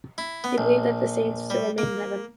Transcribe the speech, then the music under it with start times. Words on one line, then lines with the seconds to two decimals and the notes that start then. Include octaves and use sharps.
They believe that the saints still remain in Heaven.
0.18 E4
0.44 B3
0.58 A#1
1.50 G3
1.78 A#3